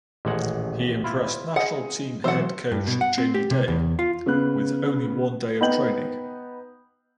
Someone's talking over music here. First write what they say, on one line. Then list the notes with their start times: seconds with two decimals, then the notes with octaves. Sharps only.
He impressed national team head coach Jamie Day with only one day of training.
0.25 D#1 A1 G#3 F#5
1.04 E4 F4 B5
1.56 G#4 D#5 F#5 G#5 D#6
2.24 B2 E3 F#3 C4 C5 E5 F#5 E6
2.72 G2
2.87 B2
3.01 F#5
3.18 C4
3.34 G4
3.51 C3
3.68 E2
3.99 F4
4.26 C#3 B3 F#6
5.61 B3 D#4 B4 G5 G6 F#7